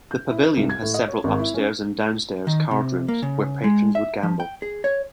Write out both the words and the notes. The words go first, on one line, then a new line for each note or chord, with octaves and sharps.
The Pavilion had several upstairs and downstairs card rooms where patrons would gamble.
G6
E4
B4
C2
G#6
A2
D#5
C#5
G#1
E4
C#4
D#3
C3
A#3
C#3
G#3
E5
F3
G5
G#4
C#5